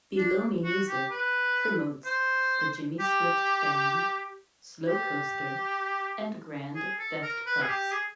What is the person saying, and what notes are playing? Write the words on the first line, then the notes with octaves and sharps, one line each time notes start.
BelowMeMusic promotes the Jimmy Swift Band, Slowcoaster, and Grand Theft Bus.
D4
F#4
G4
B4
C5
G4
G4
G#4
A4
A#4
B4
G#4
G4
G#4